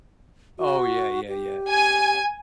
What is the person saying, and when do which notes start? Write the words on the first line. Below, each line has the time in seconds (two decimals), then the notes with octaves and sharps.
Oh, yeah, yeah, yeah.
0.58 F#4
1.28 G4
1.69 G#5